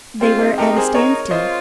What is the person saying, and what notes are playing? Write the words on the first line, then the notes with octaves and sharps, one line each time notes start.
They were at a standstill.
G#3 C4 F4
C4 D#4
D#4 G4 A#4
G#4 C5
D#4 A#4 C#5
F4 C5 D#5